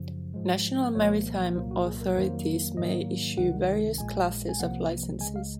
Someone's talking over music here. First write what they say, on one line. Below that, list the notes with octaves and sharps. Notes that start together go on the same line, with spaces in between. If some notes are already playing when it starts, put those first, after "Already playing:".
National maritime authorities may issue various classes of licenses.
Already playing: F#2 C#3 F3
G#2 F3 G#3
C2 A#2 F3 A#3 C#5
C2 A#2 F#3 A#3 C5
F#4
G#4
A#4
F2 D#3 F#3 A#3 C5
G#2 D#3 F#3 A#3 D#5
C#2 C3 D#3 G#3 F#5
A#1 A#2 G#3 G#5
G#5
C2 C3 F3 A#3 F#5
C#2 C#3 G#3 G#5
F5